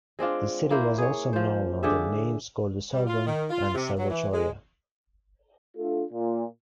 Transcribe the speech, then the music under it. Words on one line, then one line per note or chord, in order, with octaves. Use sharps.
The city was also known under names Gordoserbon and Servochoria.
G#3 C4 D4 F4
A#3 E4 C5
G#4 C#5
F3 C5
D3 G4 G#4 E5
G3
F4
D#3
F4
C3
F#3
E3
G#3
A3 D4 F4 A4
A#2